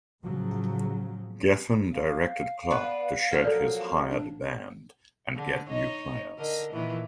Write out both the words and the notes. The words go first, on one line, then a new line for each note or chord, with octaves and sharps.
Geffen directed Clarke to shed his hired band and get new players.
A2 C#3 F3 F#3
F5
B3 D4 B4
F3 F#3 A#3
A4 D5
D4
D3
D#4 C#5 D#5
D3 A#4 D#5
A#2 D#3 E3